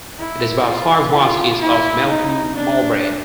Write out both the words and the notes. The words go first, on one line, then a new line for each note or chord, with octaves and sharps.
It is about five miles east of Melton Mowbray.
E4
F4
F4
E4
D#4
D4